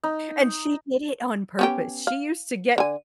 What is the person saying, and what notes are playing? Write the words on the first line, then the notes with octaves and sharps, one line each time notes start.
And she did it on purpose, she used to get
D#4
B3 C#4 G4
F5
D3 G#5